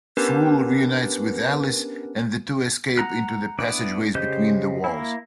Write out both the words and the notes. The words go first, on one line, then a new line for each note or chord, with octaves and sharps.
Fool reunites with Alice and the two escape into the passageways between the walls.
B3 C#4 D4 G4 A#4 B4
F#5 A#5 F#6
B3 D4 E4 D5
C#3 G4 C5 D#5 G6
A#3 E4